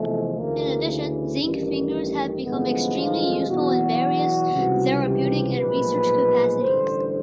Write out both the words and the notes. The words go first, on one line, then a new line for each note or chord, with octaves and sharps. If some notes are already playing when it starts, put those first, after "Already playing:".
In addition, zinc fingers have become extremely useful in various therapeutic and research capacities.
Already playing: E2 C3 F3 G#3 A3
D2 C#3 E3 A#3
A1 G2 D#3
A1 G2 D3 F3 G#3 B3
F4
E2 B2 F#3 F#4
C#2 C3 E3 G3
G4
B1 A#2 F3 G#3 B4
A1 G2 D3 C5